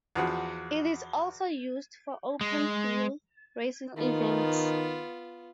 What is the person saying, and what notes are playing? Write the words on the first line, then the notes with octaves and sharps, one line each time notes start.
It is also used for open wheel racing events.
E2 F3 F#4
G#3
D#3 B3 F4